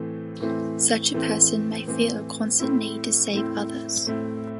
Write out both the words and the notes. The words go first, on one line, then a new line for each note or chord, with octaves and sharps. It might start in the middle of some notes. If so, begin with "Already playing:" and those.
Such a person may feel a constant need to "save" others.
Already playing: A2 E3 A3 C4
A2 E3 A3 C4
A2 E3 A3 C4
A2 E3 A3 C4
A2 A3 C4 E4
A2 A3 C4 E4
A2 A3 C4 E4